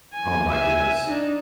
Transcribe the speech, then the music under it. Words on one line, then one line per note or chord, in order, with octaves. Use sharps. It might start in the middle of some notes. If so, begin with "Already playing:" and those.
Oh my goodness.
G#5
E5 G#5
D4 D#4